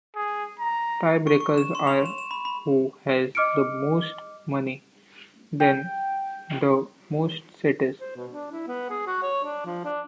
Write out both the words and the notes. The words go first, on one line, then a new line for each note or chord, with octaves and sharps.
Tie breakers are who has the most money, then the most cities.
G#4
A#5
C#6
C#6
E7
C6
F7
E7
E7
B5
B5
D#5 D6 F6 C#7 D7
G5
C5
B2
D4
E4
B3
G#4
F#4
C#5
D4
F3
D4